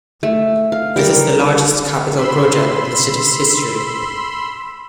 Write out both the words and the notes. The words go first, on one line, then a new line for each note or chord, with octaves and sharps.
This is the largest capital project in the city's history.
A3
F5
G3 A#4
B5 C6 E6